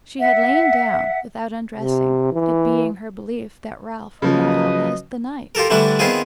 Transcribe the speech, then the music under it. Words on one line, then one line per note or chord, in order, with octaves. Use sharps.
She had lain down without undressing, it being her belief that Ralph would not outlast the night.
E5 F#5
C3
E3
C#3 F3 F#3 B4 D#5
F4 G4 A4 A#4
D3 E3 G3 A3 D4 E4
D#3 B3 C4 E4 F4 G#4